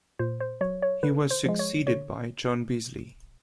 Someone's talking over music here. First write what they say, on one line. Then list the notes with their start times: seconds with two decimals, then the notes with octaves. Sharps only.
He was succeeded by John Beazley.
0.19 A#2 C5
0.40 C5
0.61 F#3 C#5
0.82 C#5
1.03 D3 B4
1.31 C5
1.46 F3 G#3
1.59 C#5
1.87 D3 C#5